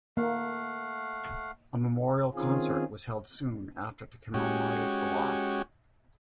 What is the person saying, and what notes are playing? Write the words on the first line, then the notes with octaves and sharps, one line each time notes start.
A memorial concert was held soon after to commemorate the loss.
A3 A#3 F5 F#5
D#3 C4 C#4 F4 G#4
G#3 C#4 F#4 G4